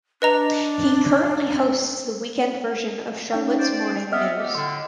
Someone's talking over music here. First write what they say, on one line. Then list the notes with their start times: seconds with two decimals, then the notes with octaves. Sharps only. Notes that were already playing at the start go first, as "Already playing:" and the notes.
He currently hosts the weekend version of "Charlotte's Morning News".
0.22 D4 B4 D#5 A#5
3.33 C#4 D#4 G5
3.59 C5 D5
4.12 B3 C4 D#5 E5 F6
4.37 A3 G4 A4
4.55 A2 D3 D#5 C6